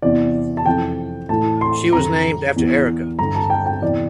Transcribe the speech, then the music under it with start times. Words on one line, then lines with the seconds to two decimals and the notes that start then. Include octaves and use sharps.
She was named after Erica.
0.02 E2 C3 E3 D5
0.57 A5
0.66 F2 C3 E3 G5
1.29 A2 E3 A5
1.61 C6
1.92 F2 D3 A#5
2.56 E2 E3
3.19 G2 D3 A#5
3.35 A5
3.50 G5
3.66 G5
3.82 E2 C3 E3 D5